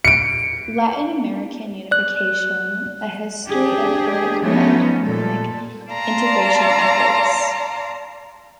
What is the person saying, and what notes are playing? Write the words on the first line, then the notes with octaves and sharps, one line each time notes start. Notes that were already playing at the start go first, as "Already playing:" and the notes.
Latin American Unification: A History of Political and Economic Integration Efforts.
C#7 D7
D5 F#6
D4 G4 G#4
F3 F#3 A3 B3 C#4 D#4
A#2 A4
D5 F5 A5 A#5 C6